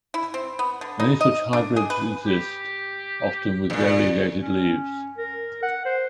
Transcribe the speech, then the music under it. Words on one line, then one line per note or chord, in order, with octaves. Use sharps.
Many such hybrids exist, often with variegated leaves.
E4
C4
B3
D3
D#4
D#5
D4
G#4
B4
G4
E2 A#2
C#4
A#4
F#5
C5